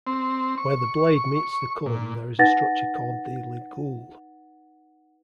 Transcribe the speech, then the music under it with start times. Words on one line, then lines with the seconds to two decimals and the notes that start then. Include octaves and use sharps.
Where the blade meets the culm there is a structure called the ligule.
0.07 C4
0.58 C#6
1.86 A#2
2.39 D#4 B4 F#5 A6 A#6